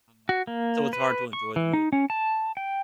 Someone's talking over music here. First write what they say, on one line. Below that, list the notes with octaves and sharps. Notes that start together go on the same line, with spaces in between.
Uh, so, it's hard to enjoy the movie.
F#4
A#3
B4
C#6
E3
D#4
C#4
A5
G5